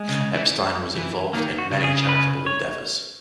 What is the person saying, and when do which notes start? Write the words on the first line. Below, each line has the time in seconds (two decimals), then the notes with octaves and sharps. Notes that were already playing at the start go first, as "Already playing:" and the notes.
Epstein was involved in many charitable endeavors.
Already playing: G#3
0.09 C#3
0.33 E3
0.96 E3
1.33 D#3 A#3
1.59 F#4
1.71 C#3
1.84 G#4
2.09 B4
2.46 C#5